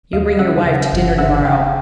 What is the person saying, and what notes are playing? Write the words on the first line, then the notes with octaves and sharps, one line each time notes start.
You bring your wife to dinner to-morrow.
D#2 D#5 F5
C#3 E5 F#5
C#3
G1
C#3 E5 F#5
C#3 F5 G5